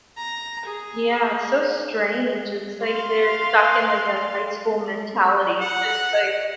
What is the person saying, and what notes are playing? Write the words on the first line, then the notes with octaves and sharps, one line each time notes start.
Yeah, it's so strange. It's like they're stuck in, like, that high school mentality. It's like,
A#5
G#4
F5 C6
F#5